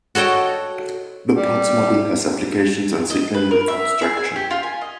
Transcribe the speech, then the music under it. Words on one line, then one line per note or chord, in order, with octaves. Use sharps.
The Potts model has applications in signal reconstruction.
F#4 A4 C#5 D#5 G5
G3
D#5
B4
A#4
E5
G#4
G#5
G4
F4
G#5
D#5